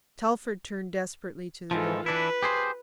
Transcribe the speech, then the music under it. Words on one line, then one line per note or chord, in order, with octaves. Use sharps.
Telford turned desperately to the door.
G#2 E3 F3 F4 A4
E3 D4 E4 B4
G4 G#4 C5